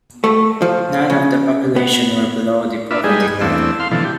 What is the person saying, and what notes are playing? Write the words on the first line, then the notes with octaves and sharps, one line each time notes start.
None of the population were below the poverty line.
A3
F3
C#3
B3
D4 F4 B4 E5
G3 G#3 D#4 G#4 B4
E2 A3 C4 D4 E6
F5 C6
B2 D3 E3 F3 A3
G4